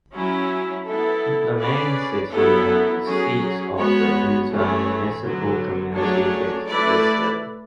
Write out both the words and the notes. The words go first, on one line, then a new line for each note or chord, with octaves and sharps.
The main city and seat of the intermunicipal community is Viseu.
F#3 C#4 E4
B3 E4 A4
C#4 G#4 B4 D5
F#3 B3 E4 A4
F#3 C#4 G#4
G#3 B3 F#4 C#5
E3 A3 C#4 G#4 C#5
D3 F#3 B3
F#3 A3 D4 G#4 C#5
A3 E4 B4 D5